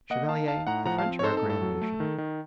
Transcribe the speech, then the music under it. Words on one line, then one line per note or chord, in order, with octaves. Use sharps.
Chevalier, the French are a grand nation.
A#3 D#5 F#5
D#4 F5 A5
D#4 F5 A5
A2 F#5 A#5
F3 F#5 A#5
F5 A5
C4
C#5
D#4 A4 C5
A4
A2
A4
F#3
A3
D#3
D#3